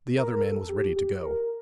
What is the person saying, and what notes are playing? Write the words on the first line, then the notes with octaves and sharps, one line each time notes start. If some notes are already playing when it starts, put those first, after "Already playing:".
The other man was ready to go.
A#4
A4
G4
G4
A#4